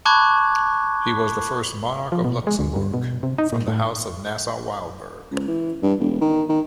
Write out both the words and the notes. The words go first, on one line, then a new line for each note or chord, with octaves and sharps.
He was the first monarch of Luxembourg from the House of Nassau-Weilburg.
A5 B5 C#6 D6 F#6 G#6
F3
B2
G#3
D2
G2
B2
C3
D#4
A#2
A2
C#2
E3
G2
E1
D#3
D#3